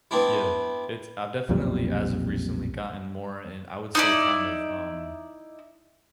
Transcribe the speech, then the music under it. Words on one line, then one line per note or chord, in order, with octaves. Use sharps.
Yeah. It's I've definitely, as of recently, gotten more in I would say kinda, um
B3 C4 D4 E4
B1 F2 A#2 G3
D#4 E4 D5